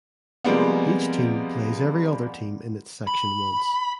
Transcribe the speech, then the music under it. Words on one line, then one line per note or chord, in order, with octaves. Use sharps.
Each team plays every other team in its section once.
C3 F3 G3 G#3 A#3 B3
B5